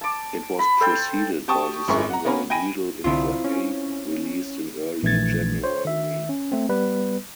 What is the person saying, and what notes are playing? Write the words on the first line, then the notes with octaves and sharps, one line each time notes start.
It was preceded by the single "Needle in the Hay", released in early January.
A5 D6
B5
A4 C5 G5
G4 G5 A5 C#6 D#6
G#1 F#2 E4 G#4 A#4 C#6
F#5 A#5
A#3 B3 C#4 A#4 B4
G5 G#5 B5 A#6 D7 D#7
C2 D3 C4 E4 F4
C#4
A#1 E3 A3 G#6 A6
C5 C#5
D#3 E5
C#4
A3 C4
G3 B3 B4